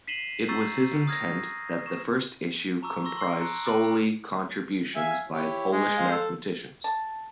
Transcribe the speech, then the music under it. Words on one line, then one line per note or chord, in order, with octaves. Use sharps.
It was his intent that the first issue comprise solely contributions by Polish mathematicians.
B6 C7 D#7 E7 F#7 G7
A#5 C#6 E6 G6 A6 C7
D#6 F6 G#6 A#6
C#6 E7
A5 A#5 C#6 D6 E6
C6 C#6 E6 A#6
C6 E6 C7
A#5 C6 F#6 C#7 D7
B5 D6 F6 A6 D7 F#7
A#5
E5 F5 G#5
E4 G4 C#5
G#3
C5 F5
A4
A5